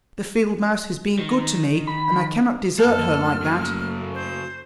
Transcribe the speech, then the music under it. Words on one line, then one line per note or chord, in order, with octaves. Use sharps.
'The field-mouse has been good to me, and I cannot desert her like that.
D#3
B5
F#2 A3 A#3 A4 F6
C#3 F#3
C5